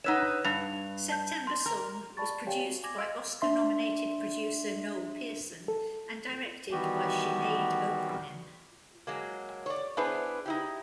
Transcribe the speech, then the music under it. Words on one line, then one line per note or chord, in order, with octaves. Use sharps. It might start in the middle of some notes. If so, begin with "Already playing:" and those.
"September Song" was produced by Oscar-nominated producer Noel Pearson and directed by Sinead O'Brien.
D#4 B4 C#5 F#5 E6 E7
G2 F7
A5 G6
C6
A#4 A#5
D5 A5 B5 C#6 A6
G4 C#5 D5 F5 G5 G#5
F#4
G#5 D6 G#6 A#6
D#5 F5 C6 E6 F6 D7
D4 E5 C6
A4
D#3 E3 G3 B3 F#4 G4
F#3 G#3 A#3
C#5 D5
B3 D4 E4 G#4 B4 C5
D#4 E4 G4